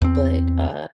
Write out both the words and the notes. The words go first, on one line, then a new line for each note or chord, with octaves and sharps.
but, uh,
E2 C4